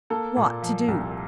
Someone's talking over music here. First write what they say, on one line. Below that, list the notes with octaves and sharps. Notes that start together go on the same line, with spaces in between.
"What to do?"
A#3 A4
A#2
F3
C2